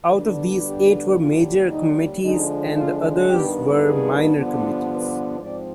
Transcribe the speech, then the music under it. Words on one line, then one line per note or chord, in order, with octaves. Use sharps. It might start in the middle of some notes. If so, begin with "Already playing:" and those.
Out of these, eight were major committees and the others were minor committees.
D3 G3 B3 D4
G4
D#2 D3 G3 F4
D#4
D3 F3 G#3 D4 D#4
F4
G2 D#3 B3 D4 G4
G#4
G2 D3 F3 B3 D4
B4
G#2 F3 C4 D5